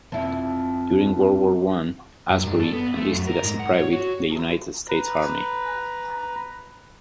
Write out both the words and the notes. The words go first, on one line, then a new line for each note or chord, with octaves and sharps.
During World War One, Asbury enlisted as a private in the United States Army.
F2 E4
F#2
G2
A4
B3
A3
F#2
A#4
G#2
F#5
C#5
F#4
B4 A#5